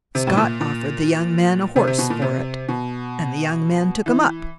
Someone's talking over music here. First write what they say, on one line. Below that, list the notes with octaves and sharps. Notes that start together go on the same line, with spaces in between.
Scott offered the young man a horse for it, and the young man took him up.
C3
A2
A#2
A#2
C3
C3
B2
A#2
C3
B2
E3